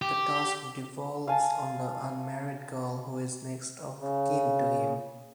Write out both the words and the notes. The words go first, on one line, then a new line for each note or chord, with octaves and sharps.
The task devolves on the unmarried girl who is next of kin to him.
G4
F5 G#5 A5
C#3